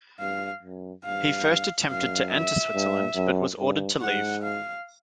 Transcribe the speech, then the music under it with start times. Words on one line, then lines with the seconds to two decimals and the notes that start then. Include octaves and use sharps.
He first attempted to enter Switzerland, but was ordered to leave.
0.20 G2 F5
0.63 F#2
1.05 G2 F5
1.90 F#2 F5
2.32 E5
2.75 G2
3.16 F#2
3.59 G2
4.01 G#2 F#5
4.43 F5